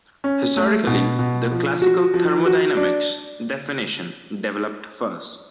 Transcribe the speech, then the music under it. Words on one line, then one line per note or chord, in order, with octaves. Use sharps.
Historically, the classical thermodynamics definition developed first.
C#4
A3
B2
B2
F3
F#4
F3
F#4
D4